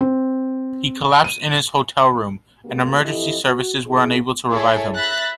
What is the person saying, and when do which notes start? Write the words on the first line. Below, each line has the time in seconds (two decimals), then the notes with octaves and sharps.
He collapsed in his hotel room, and emergency services were unable to revive him.
0.01 C4
1.24 D#7
2.65 C#3 G#3 A#3 B3 F#4 G4
3.04 F2 E3 E4 G4 A4 D#5
3.44 F#4
3.86 C3 C4 E4 G#4
4.51 E4 G#4 A4 C#5
4.95 E5 B5 F#6 A6 A#6